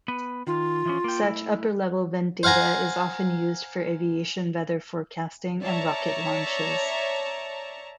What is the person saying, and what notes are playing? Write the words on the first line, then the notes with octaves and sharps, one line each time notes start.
Such upper-level wind data is often used for aviation weather forecasting and rocket launches.
B3 B4
D#3 F4
E3 F3 C#4
A#3 G5
A3 E4
C5 F5 F#5 G#5 A#5
C#5 D5 E5 A5 A#5 C#6